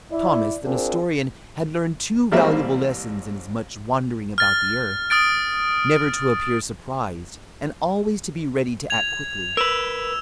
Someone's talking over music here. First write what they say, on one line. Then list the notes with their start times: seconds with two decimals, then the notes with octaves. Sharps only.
Thomas the Nestorian had learned two valuable lessons in his much wandering about the earth,--never to appear surprised, and always to be ready to act quickly.
0.12 E4 D5
0.65 C4 D4 F4 G#4 A#4 C5
2.31 A1 G3 G#3 A#3 C4 E5
4.38 F6 A6
5.10 D#6 F6 A6 D7
8.90 G#6 F7
9.57 A#4 B4 E6 E7